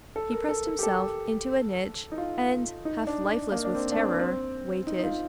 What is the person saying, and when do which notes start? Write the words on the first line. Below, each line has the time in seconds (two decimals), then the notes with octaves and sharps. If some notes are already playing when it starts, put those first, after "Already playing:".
He pressed himself into a niche and, half lifeless with terror, waited.
0.16 A4
0.32 A#4
0.49 A4
0.66 A#4
0.79 G4
0.83 A4
2.12 D#4
2.18 F4
2.85 D#4
3.07 D4
3.52 A#3
3.64 D4
3.75 C4
3.92 D4
3.97 C4
4.20 C4
4.87 D#4
4.99 D#4
5.03 F4